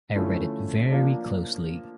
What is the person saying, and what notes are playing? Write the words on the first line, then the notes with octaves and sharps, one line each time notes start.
I read it very closely.
D3 F3 A3 C#4 E4
F3 A#3 D4